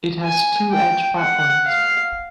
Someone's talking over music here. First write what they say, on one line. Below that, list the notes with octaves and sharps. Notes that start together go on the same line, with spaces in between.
It has two edge platforms.
G#5
G5
F#5
F5